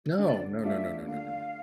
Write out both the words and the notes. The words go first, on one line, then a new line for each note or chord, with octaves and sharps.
No, no, no, no, no, no, no, no.
D3 D5
A3 D4 F4 E5
D3 F5